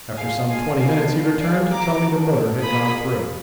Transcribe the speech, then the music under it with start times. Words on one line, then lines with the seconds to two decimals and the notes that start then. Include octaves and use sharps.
After some twenty minutes he returned to tell me the motor had gone through.
0.17 D4 F4 G#4 F5 G#5
0.49 F5 G#5
0.79 B3 D4 F4 G#4 F5 G#5
1.39 B3 F4 G#4 D5 F5
1.71 A#5 D6
2.01 D4 F#4
2.62 A#3 F4 G#4 B5 D#6